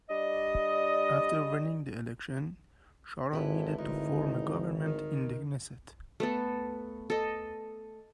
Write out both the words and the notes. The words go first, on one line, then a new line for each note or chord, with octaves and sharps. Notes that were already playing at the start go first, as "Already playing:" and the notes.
After winning the election, Sharon needed to form a government in the Knesset.
G3 D4 D5 D#5
G#1 D3 G#3 E4 B4
G#1 D2 D#4
D#3
A3 B3 A4
A4 D#5